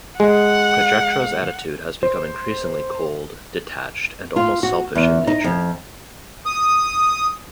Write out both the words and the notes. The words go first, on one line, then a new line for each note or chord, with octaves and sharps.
Projectra's attitude has become increasingly cold, detached, and almost selfish in nature.
G#3 F#5
C5
F4
F#4
E2
D#4
F2
D#6